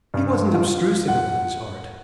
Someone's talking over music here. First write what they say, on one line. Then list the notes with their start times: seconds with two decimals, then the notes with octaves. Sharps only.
He wasn't obtrusive about his heart.
0.14 G2
0.54 F4
1.08 F#5